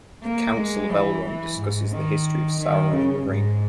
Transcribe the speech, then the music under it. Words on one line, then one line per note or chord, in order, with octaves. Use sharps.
The Council of Elrond discusses the history of Sauron and the Ring.
A#3
G#3
E3
E3
G#2
D#3
D#3
C#3
G#2